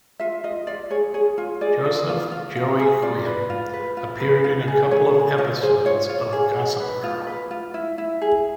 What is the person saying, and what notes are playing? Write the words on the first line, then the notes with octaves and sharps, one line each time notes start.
Joseph "Joey" Quinn and appeared in a couple of episodes of "Gossip Girl".
F4 E5
F4 D#5
F4 D5
G#4 C#5
G#4 C#5
F4
G#4 D5
F4
F4
F4
F4
G#4
F4 D5
B4
F4
B4
F4
B4
F4
G#4
G#4 C#5
G#4
F4 C#5
G#4 C5
F4 C#5
F4
G#4
G#4
B4
F4
B4
F4
E4
E4
G#4